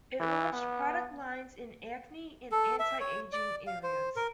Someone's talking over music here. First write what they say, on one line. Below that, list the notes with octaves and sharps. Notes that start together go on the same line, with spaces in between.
It launched product lines in acne and anti-aging areas.
E3
B3
A4
E5
C#5
D5
F5
C5
A#4